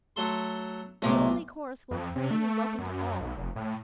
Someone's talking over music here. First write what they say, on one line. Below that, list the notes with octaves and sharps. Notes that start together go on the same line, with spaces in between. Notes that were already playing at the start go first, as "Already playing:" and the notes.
The only course was plain and welcome to all.
F#3 A3 C6
B1 A2 C3 G#3 D6
F2
C3
A3
F#2
B1
F1
A2